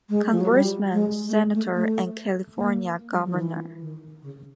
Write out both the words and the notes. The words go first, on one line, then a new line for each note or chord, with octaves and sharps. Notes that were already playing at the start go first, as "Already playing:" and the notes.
Congressman, Senator and California governor.
G#3
F3
F#3
G3
G#3
A3
G#3
A3
A3
A#3
G3
F3
D#3
E3
D#3
C#3